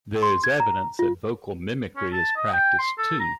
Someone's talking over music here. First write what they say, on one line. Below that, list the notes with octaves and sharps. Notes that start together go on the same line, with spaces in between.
There is evidence that vocal mimicry is practised too.
C6
G#6
A#5
F4
C#4
A5
D#5
G5
C6
A4
A#5